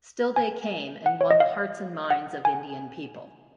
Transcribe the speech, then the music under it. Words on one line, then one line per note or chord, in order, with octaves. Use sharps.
Still they came and won the hearts and minds of Indian people.
G#5
F#5
C#5
D#5
F5
F#5
G#5